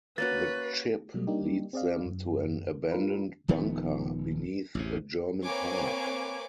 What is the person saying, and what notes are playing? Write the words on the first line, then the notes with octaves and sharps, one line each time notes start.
The chip leads them to an abandoned bunker beneath a German park.
A#3 C#4 F#4 B4 A6
B2 F#3 G3 A3
G3 A#3 D4 D#4 G4
C4 G#4 D5 D#5 F5
F#2
D4 F4 A#4 B4
D#1 D#3 F3 B3
A1 E2 C3
A#3 C4 B4 C#5 G#5 D6